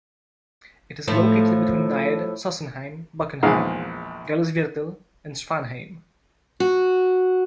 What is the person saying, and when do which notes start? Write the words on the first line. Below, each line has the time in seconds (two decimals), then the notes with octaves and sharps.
It is located between Nied, Sossenheim, Bockenheim, Gallusviertel and Schwanheim.
1.08 A2 F3 A3
3.43 A#1 E2 D#3 G#3 F5 F#5
6.60 F#4